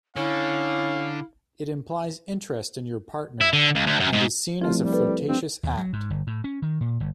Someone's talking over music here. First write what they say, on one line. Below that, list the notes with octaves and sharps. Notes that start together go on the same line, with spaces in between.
It implies interest in your partner, and is seen as a flirtatious act.
D3 C#4 E4 F5
E4
D3
C#2
D2
F#2
G#2
C2 F3 A3 F4
G3
A4 B4
G2 C4
D#2
F#3
G#2
G1
A2
C#4
D#3
A#2
G1